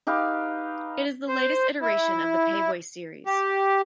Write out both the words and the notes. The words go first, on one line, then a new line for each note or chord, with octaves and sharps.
It is the latest iteration of the Paveway series.
D#4 G4 B4 F5
C5
E4
G4